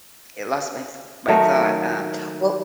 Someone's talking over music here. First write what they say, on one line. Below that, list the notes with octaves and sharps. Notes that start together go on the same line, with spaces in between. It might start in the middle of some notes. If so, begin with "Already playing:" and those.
I lost my th my thought, um, well
D#3 F#3 A3